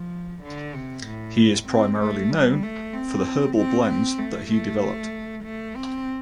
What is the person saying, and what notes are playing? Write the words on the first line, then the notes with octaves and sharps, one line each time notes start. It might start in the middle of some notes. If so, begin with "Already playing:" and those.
He is primarily known for the herbal blends that he developed.
Already playing: F3
D3
C3
A2
C4
A3
G3
A3
C4
C4
C4
A3
A3
A3
C4